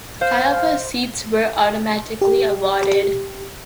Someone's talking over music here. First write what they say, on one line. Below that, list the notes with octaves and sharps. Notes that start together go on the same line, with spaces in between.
Five of the seats were automatically awarded.
C5 F5
G4